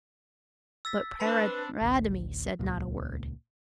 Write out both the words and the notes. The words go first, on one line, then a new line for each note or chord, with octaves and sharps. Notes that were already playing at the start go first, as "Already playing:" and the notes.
But Paridamie said not a word.
E6 A6 B6
C4 D4 B4 A5 B5 C#7
A1 D2
D#1 G#1 C#2 A#2